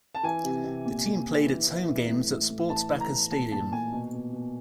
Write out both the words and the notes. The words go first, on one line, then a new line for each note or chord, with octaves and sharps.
The team played its home games at Sports Backers Stadium.
A5
E3 G#5
C3
C3
A#2
A#2
A#2
E3
E3
E3
A2
A2
A2
E3 A5
E3
A#5
A2
A#2 A5
A#2 A5
A#2 G#5
B2
B2
B2